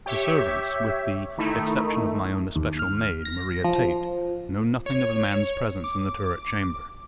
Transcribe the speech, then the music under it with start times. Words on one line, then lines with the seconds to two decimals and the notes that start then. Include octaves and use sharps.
The servants--with the exception of my own especial maid, Maria Tait--know nothing of the man's presence in the turret chamber.
0.06 G4 C#5 E5
1.37 D#3 A3 D#4 E4
2.56 D#2
2.79 F6
3.25 A#6
3.64 F3
4.86 C#5
5.84 D6